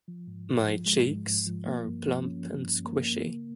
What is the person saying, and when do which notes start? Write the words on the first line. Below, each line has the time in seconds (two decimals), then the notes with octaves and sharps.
My cheeks are plump and squishy.
0.08 F3
0.27 G#2
0.47 G#2
0.67 F3
0.86 G#3
1.06 G#2
1.26 G#2
1.46 F3
1.66 A#3
1.86 G2
2.06 F3
2.25 C#4
2.45 F3
2.65 G2
2.85 A#3
3.05 A#3
3.24 C#3